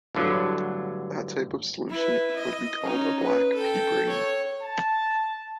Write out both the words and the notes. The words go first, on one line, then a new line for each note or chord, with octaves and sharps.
That type of solution would be called a black "p"-brane.
G1 A2 D3 F#3
E4 B4
D#5
C#4 D#4
B4
A4 G5
C#5
A5